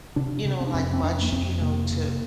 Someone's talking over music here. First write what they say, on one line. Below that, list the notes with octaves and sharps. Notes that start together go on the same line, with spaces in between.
you know, like much, you know, to
C3 D4
C3
C4
D4
F2 C4
C4
F2 D4
A#3
F2 C4
C3 A#3
C3